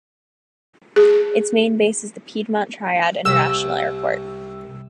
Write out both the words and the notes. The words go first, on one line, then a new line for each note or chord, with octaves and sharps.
Its main base is the Piedmont Triad International Airport.
G#4
C2 E6